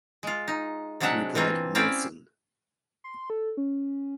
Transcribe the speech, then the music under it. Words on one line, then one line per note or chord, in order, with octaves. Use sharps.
He replied, "Nilsson".
G#3 F4
D#4
C3 F#3 G#3 D4 E5 F#5
E3 A#3 C4 F4
C4 C#4 E4 D5 F5 G5
C6
A4
C#4